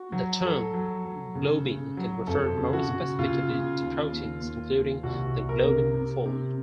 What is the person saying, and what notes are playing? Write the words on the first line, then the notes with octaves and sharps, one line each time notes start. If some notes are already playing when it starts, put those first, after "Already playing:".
The term globin can refer more specifically to proteins including the globin fold.
Already playing: F#4
F#3
F#3 A4
F#3
F#3
C#3
C#3
F#3
F2 A4
C#3
F#4
C#3
C#3 F4
C#3
D#2
D#2
D#2
D#2
C2 F#4
C2
A#4
C3
C3
C3